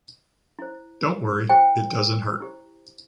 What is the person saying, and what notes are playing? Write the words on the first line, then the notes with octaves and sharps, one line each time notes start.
Don't worry, it doesn't hurt.
E4 C5
E4 G4 C5 G5
E4 G4 C5